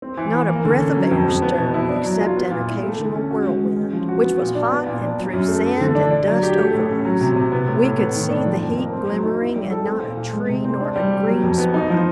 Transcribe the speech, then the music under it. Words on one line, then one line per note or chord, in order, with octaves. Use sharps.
Not a breath of air stirred except an occasional whirlwind, which was hot and threw sand and dust over us. We could see the heat glimmering, and not a tree nor a green spot.
C4
E3
E3
A#3
D3
C#4
F#3
F2
F2
B3
B2
E4
D4
F#3
F4
B3
A#2
E4
A3
D3
C#4
F#4
G#3
G#3
C#4
F3
F#4
B3
A#2
D4
B3
A#2
D4
F#3
F#2
A3
A3
D3
D4
D4
F#3
G4
A3
A2
C#4
F#3
C3
C3
B3
A2
A2
B3
D#3
D4
F3
F2
A#3
C4
F#3
D#4
E4
G3
A4
C4
A#2
A#2
G#3
C3
C4
D4
G3
G4
F#3
F2
B3
D#4
F3